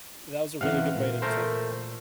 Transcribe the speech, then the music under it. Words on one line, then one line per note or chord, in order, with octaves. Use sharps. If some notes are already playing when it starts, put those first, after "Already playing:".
that was a really good way to to
C3 E3 C#4 F5 F#5
A#2
A3 A#4 C5